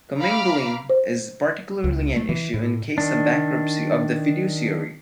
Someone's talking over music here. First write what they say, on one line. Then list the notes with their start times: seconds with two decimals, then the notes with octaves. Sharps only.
Commingling is particularly an issue in case of bankruptcy of the fiduciary.
0.20 F5 A#5 B5 D6 F6
0.90 C5
1.84 C#2
2.16 A3
2.29 E3
2.54 A2
2.98 D#3 D4